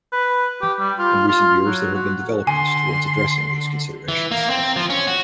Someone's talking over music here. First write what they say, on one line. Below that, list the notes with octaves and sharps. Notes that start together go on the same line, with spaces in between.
In recent years, there have been developments towards addressing these considerations.
B4
G4
G3
F4
F4
F#3
F#4
D3 G#5 C6
E3
A#3
C4
F3
C#4
F#4